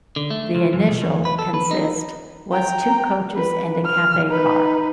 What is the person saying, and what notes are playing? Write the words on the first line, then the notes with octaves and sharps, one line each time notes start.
The initial consist was two coaches and a cafe car.
D3
A3
C#2
F#2
B1
E2
B4
A4
B4
D#4
G5 A#5
B4
F6
D#4 B4